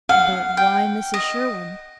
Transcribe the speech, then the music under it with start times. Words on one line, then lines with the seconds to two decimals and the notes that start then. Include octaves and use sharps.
'But why Mrs Sherwin?
0.09 F5 F#5
0.57 G5
1.14 D#5